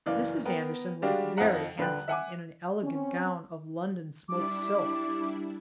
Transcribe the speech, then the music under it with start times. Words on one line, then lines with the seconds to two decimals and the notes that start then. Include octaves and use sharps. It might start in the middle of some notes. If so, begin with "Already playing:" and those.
Mrs. Anderson was very handsome in an elegant gown of London-smoke silk.
0.06 F#1 E3 D5 F5
0.45 B3 A#4 G5
1.02 G3 G#3 D4 F#4 G4 F5
1.37 F2 F3 D#4 F5 F#5 A#5
1.78 D#1 D3 B4 G5 F#6
2.08 E5 F#5 G#5 D6
2.82 C4 C#4
4.29 G3 D4 E4 D6